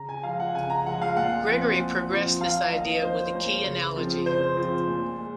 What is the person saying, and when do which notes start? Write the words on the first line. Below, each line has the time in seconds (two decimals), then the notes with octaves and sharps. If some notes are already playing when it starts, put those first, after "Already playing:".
Gregory progressed this idea with a key analogy.
Already playing: C#3 A#5
0.09 G#5
0.23 F3 G#3 F5
0.40 F#5
0.54 C#3 G#5
0.70 A#5
0.86 F3 G#3 F#5
1.01 F5
1.16 A#2 F#5
1.48 F3 C4 F4
1.79 A#2
2.09 F3 C4 F4
2.41 F3 F5
2.64 F5
2.72 A#3 C#4 D#5
3.02 F3 C5
3.33 A#3 C#4
3.64 C#3
3.96 F3 C4 F4
4.26 C#3 C5
4.57 F3 C4 F4
4.88 A#2
5.19 G#3